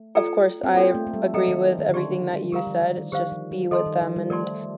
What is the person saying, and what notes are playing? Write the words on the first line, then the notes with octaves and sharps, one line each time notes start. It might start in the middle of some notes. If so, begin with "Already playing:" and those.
of course I agree with everything that you said. It's just be with them and
Already playing: A3
F4 A4 D5 G5 A#5
C4
A#3 F4 A4 D5
A3
A3
G3
F3 A4 D#5 G5 A#5
D#3
D#3
D3
D#3 G4 D5 A5 C6
D#3
G3
G3 G4 A#4 F5 A#5
F3
D#3
D#3
D#3 G4 C5 F5
F3
G3
D#3 A4 D#5 A5 C6
D#3
F3
G3
A3 A#4 D5 A5 C6